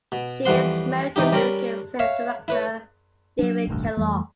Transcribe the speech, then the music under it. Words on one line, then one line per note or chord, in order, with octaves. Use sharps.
She is married to American film director David Kellogg.
B2
F2 E3 G3 F#5 C6
C3 E3 D#4 G4
G3 C#4 A#4 B5
C#5 E5 F5
E4 B4 C#5
F#3 D4
E1 A1 D2 G2
F2 E3 G3 A3